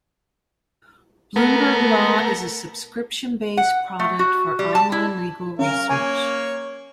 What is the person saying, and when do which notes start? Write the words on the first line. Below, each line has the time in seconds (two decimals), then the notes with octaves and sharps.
Bloomberg Law is a subscription-based product for online legal research.
1.36 A3 B3 A#4
3.57 F#5
3.99 A3
4.19 F#4
4.59 G3
4.75 A5
4.92 E4
5.59 C#4 A#4 F5
5.89 A#3 C#5 G#5